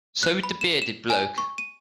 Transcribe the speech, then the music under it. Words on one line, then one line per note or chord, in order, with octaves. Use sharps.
So with the bearded bloke.
F#6
B5
E7
E7
G#5
C#6
D#7